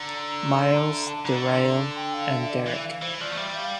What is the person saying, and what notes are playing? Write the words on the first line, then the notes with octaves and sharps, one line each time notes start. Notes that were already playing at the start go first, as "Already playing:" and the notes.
Miles, Darrayl and Derrick.
Already playing: D3 A#5
C6
A#5
E5
A5
D3 A#5
C6
G5
F5
E5
D5
E3 E5
F5
E3 C5
F3 D5
A3
G3 E5
F5